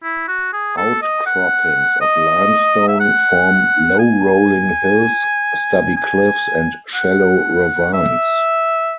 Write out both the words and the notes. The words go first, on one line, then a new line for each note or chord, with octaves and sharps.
Outcroppings of limestone form low rolling hills, stubby cliffs, and shallow ravines.
E4
F#4
G#4
A4
D#5
F#5
D#5
E5
F#5
G#5
G#5
F#5
E5